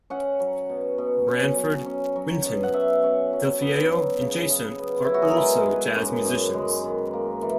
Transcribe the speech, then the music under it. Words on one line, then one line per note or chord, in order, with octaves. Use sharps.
Branford, Wynton, Delfeayo, and Jason are also jazz musicians.
C#4 F#5
F#3
B2
B2
C#4
F#3
C#4
F#3
B2
F#5
B2 E5
C#4
F#3
B3
F#3
C#3
C#3
B3
F#3 E4
F#4
G#4
A#4
G#3 B4
D#3
F#2
F#2
G#3
D#3
A#3
E3